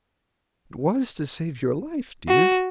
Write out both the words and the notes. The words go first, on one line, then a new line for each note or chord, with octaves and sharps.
"It was to save your life, dear."
F#4